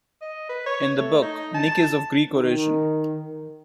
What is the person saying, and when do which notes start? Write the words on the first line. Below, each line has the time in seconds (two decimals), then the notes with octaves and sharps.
In the book, Nick is of Greek origin.
0.22 D#5
0.49 B4
0.66 C#5
0.98 A3
1.22 D#4
1.54 A5
2.31 D#3